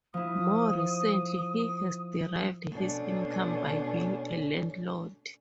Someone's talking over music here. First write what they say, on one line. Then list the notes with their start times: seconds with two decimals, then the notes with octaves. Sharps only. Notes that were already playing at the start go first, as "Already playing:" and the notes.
More recently, he has derived his income by being a landlord.
0.14 F3 E4 D#6
2.72 B2 A3 C#4 D4